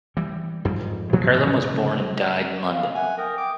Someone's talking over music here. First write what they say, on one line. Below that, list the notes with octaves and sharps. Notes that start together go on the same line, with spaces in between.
Earlom was born and died in London.
E3 G3
F2 G#2 G3
A2 F3 F#3 A#3
F1 C#3 C#4
F5
E5 F#5 G#5
A#4 G5 D#6
D6